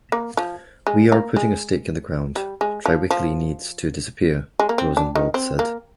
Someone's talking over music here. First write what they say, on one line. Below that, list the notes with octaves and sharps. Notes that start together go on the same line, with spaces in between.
"We are putting a stake in the ground: Triweekly needs to disappear," Rosenwald said.
A#3
F3
G#3
A#3
G#3
G3
G#3
F3
F3
G#3
A#3
C4
D4
D#3
C4
A#3